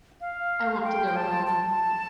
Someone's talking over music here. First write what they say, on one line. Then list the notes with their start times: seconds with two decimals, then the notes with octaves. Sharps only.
I want to go home.
0.21 F5
0.84 G5
1.07 G5
1.17 A5
1.47 A5